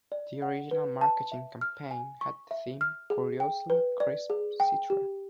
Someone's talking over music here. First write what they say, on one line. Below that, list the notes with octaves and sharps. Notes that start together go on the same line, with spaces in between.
The original marketing campaign had the theme "Curiously crisp Citra".
D5
F#5
B4
A5
E5
F6
G#5
C#6
E5
F6
G#4
G5
B4
D5
G#4
G5
G4